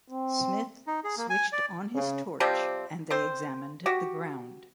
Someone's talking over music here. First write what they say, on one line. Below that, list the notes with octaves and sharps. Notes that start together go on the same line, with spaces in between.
Smith switched on his torch and they examined the ground.
C4
D#4
G#4
A#3
G#5
D5
C#3
C3 F3 G3 C4
C4 C5
F#4 G4